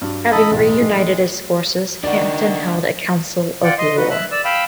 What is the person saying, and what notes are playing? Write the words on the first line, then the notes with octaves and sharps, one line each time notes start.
Having reunited his forces, Hampton held a council of war.
G2 F#3 D4
A1 A4 D#5 B5 A6
E1 B1 A2 G#3
A#1 D#4 C7
D#3 D4 F#4 D5
F4 D5 F#5 G5
D#5 C6
D#4 F#4 B4
E5 F#6
D5 E6
F5 G5 B5 E6